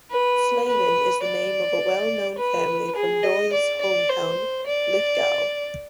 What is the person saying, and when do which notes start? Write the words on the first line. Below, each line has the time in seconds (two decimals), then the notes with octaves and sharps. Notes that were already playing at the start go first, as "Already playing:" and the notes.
Slaven is the name of a well known family from Doyle's home town, Lithgow.
0.11 B4
0.68 B4
1.24 D5
2.38 B4
2.96 G#4
3.23 D#5
3.53 D5
3.81 D5
4.09 C5
4.67 D5